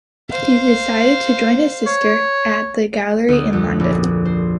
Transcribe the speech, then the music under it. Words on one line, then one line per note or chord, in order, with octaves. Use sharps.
He decided to join his sister at the gallery in London.
C5 F5
C#5
D2 D#6
F2
A#1
C5